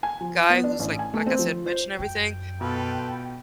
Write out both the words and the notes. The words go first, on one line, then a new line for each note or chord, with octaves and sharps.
guy who's like like, I said, rich and everything.
G#5
F3
B3
D4
A1
G#5
A3
C4
F3
C5
F#2 G5
B2 F4 A4 B4